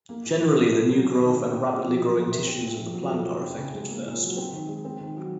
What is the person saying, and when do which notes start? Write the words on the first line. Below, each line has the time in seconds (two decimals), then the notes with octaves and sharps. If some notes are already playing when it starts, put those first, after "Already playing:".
Generally, the new growth and rapidly growing tissues of the plant are affected first.
0.09 A#3
0.25 A#2
0.40 F3
0.57 C#4
0.72 C3
0.89 F#3
1.04 C#4
1.20 D#3
1.36 A#3
1.52 C4
1.67 A#2
1.83 F3
2.00 F#3
2.15 F2
2.32 C3
2.47 C4
2.62 A#2
2.78 F3
2.94 F#3
3.10 F2
3.26 C3
3.42 C4
3.57 C#3
3.74 G#3
3.89 A#3
4.06 A#2
4.22 F#3
4.37 C4
4.53 D#3
4.68 G#3
4.85 C4
5.00 D#3
5.16 F#3